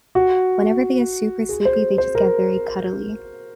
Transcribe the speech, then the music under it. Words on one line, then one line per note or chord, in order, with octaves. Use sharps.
whenever they get super sleepy, they just get very cuddly.
F#4
G#4
C5
C5
A#4